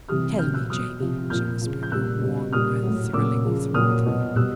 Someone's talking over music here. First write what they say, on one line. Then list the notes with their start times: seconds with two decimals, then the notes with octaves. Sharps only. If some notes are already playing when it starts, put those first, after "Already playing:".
"Tell me, Jamie," she whispered, her warm breath thrilling me through and through.
0.09 C3 E3 G3 D#6 F6
0.39 A#2 F#3 F6 G6
0.54 E6 F#6
0.69 B2 F#3 D#6 F6
1.00 C3 F3
1.30 A#2 F3 F6 G6
1.61 C#3 F3
1.83 G6
1.92 A#2 G3 E6 F#6
2.22 B2 G3
2.53 A#2 G3 D#6 F6
2.83 A2 F#3
3.13 A#2 F#3 D6 E6
3.45 C#3 F3
3.74 A#2 F#3 D#6 F6
4.06 B2 F#3
4.36 B2 G3 E6 F#6